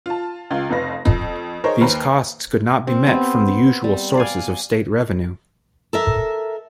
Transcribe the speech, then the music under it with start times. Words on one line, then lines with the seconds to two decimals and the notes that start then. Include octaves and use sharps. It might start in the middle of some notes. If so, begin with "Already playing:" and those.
These costs could not be met from the usual sources of state revenue.
0.06 F4 A5
0.51 C#2 F4 F5
0.69 F1 F2 B4 F5 A#6
1.05 F2
1.64 D#4 G#4 A#4 C5 C#5
1.81 D#2 B4 C5 A#5 B5
2.87 C4
3.06 B3 C4 G4
3.84 G3
4.15 D5 F5 G#5
5.93 A4 A#4 E5